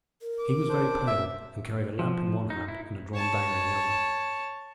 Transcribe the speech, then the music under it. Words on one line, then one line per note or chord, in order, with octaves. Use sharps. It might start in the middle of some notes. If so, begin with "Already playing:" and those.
He was very pale, and carried a lamp in one hand and a drawn dagger in the other.
A#4
D6
D4 C5
E5
F3
D#4
E4
C#5 A5